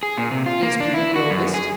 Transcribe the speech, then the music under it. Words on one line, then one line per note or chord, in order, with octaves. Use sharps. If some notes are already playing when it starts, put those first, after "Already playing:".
"Is Peter the oldest?"
G#4
A#2
C3
F4
A#3
D4
E4
F#4
F#2
G#4